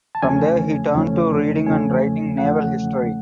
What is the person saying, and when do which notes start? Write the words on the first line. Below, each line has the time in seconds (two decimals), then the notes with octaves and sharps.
From there he turned to reading and writing naval history.
0.15 A5
0.22 E2 C#3 F3 A3 C#4 G#5
0.95 E2 C#3 F3 A3 C#4
1.66 E2 C#3 F3 A3 C#4 G#5
2.38 E2 C#3 F3 A3 C#4 F#5